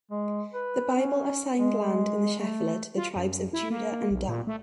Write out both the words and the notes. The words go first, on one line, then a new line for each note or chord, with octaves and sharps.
The Bible assigned land in the Shephelah to the tribes of Judah and Dan.
G#3
B4
C#4
G#3
A3
F4
F#2
E4
A#3
B1
A#2
A3